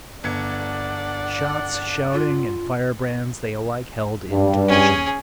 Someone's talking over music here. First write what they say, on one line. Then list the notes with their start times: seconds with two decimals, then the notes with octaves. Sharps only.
Shots, shouting and firebrands they alike held in derision.
0.24 G1 D4 D5 F#5 G#6 C#7
2.13 F4
4.30 G2
4.68 C#4 G#4